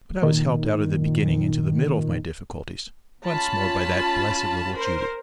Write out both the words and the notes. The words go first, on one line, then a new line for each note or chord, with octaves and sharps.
But I was helped out of the beginning into the middle of my difficulties, once more by that blessed little Judy.
A#2 D#3
C#4 F4 A5 B5
A#4 C5